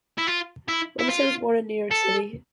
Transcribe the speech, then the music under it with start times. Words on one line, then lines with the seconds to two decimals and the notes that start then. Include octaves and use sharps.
Robinson was born in New York City.
0.18 E4
0.28 F4
0.68 E4
0.99 E4
1.10 F4
1.91 A4